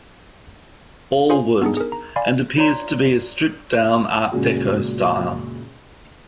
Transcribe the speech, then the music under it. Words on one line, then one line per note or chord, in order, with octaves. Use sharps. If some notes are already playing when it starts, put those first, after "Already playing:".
Allward and appears to be a stripped down Art Deco style.
F4 G#4 C5 F5 G#5 C6
B3 D4 D#4 G#4
G#4 A#4
A#5
D5 F5 G#5 B5 C6
F4 C#5 D5 A#5 C6
C#2 F#2 A#2 F#4 G#4